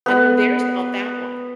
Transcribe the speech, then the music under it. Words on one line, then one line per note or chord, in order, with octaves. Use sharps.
and I'm embarrassed about that one.
B3 B4